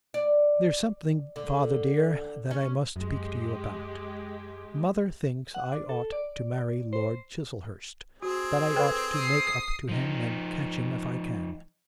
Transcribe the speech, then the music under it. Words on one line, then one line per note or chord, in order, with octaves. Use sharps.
'There's something, father, dear, that I must speak to you about.... Mother thinks I ought to marry Lord Chiselhurst, that I ought to make up to him and catch him if I can.
D5
D3
C#4
F#2 G#3 G4
F#5
D4
A4
D5
C5
C4 F#4 G#4
A4 B4 G5
D#6 C7
F3 D#4